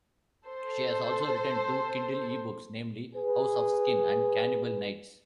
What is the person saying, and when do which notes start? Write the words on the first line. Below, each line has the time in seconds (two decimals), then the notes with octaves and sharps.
She has also written two Kindle eBooks namely "House of Skin" and "Cannibal Nights".
0.46 A4 C5
3.16 G#4 B4